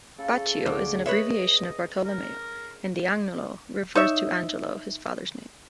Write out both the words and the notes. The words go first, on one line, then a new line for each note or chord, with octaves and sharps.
"Baccio" is an abbreviation of Bartolomeo, and "d'Agnolo" refers to Angelo, his father's name.
C#3 A4
D2 D6
B4 C#5 D#5 E5
A#4
D#4 C#5 E5